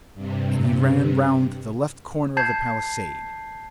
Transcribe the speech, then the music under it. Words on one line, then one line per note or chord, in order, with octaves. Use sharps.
And he ran round the left corner of the palisade.
G2 C3
A5 G6 G#6 C7